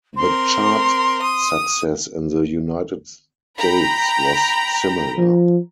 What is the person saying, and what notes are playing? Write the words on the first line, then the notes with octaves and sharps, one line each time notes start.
The chart success in the United States was similar.
C4 A#4 C6
D#6
G5 A#5 B5
F3